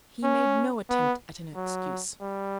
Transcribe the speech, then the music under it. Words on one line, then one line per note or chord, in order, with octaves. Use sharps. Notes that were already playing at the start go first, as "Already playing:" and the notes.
He made no attempt at an excuse.
C#4
B3
F#3
G3